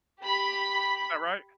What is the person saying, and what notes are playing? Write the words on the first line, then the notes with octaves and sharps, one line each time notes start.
That right?
G4 B5